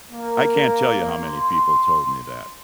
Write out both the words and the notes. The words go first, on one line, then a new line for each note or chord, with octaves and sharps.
I can't tell you how many people told me that.
A#3
C6